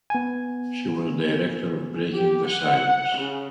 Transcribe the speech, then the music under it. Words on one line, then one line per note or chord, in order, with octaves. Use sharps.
She was director of Breaking the Silence.
B3 G#5
G4
F#5
C#3